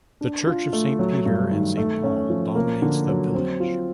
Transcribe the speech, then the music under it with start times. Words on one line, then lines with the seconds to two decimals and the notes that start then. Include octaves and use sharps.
The Church of Saint Peter and Saint Paul dominates the village.
0.21 D4
0.47 F4
0.73 A3
0.99 F#3
1.25 G2
1.51 D#3
1.77 A3
2.04 C#4
2.30 F3
2.55 A#3
2.82 D3
3.08 F#3
3.34 C4
3.60 F4